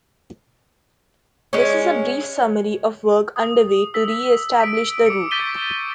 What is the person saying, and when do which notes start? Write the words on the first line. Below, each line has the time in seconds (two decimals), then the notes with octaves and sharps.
This is a brief summary of work underway to reestablish the route.
1.53 G#3 C#4
3.36 D#6
3.94 E6 B6
4.60 B6 D7
5.06 D6 C#7
5.31 C#6 G6 A6 B6 D#7 G7